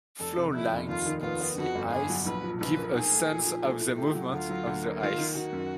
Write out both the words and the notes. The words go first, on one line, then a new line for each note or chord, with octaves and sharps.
Flow lines in sea ice give a sense of the movement of the ice.
F1 A4
C3
F2 E4
F1
D#2 F4
D#3
B3 F4
B3
F2 F#4
G1
G1 G#4
F#3
A#1 B4
F3
A#1 B4
A#3
B1 G#4
A3
A#2
F3
A3
A2
A3 G4
F#3
D2 F4
F#3
D2
A#3
D#3 F4
D#3
D#3 F#4
F#2